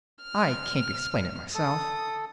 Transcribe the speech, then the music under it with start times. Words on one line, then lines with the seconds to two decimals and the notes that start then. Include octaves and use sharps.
"I can't explain it, myself."
0.22 F6
1.54 A4 D#6